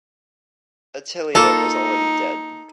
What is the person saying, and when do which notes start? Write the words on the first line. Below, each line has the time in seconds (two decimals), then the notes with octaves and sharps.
Attilia was already dead.
1.35 A#3 D#4 F4 A4 A5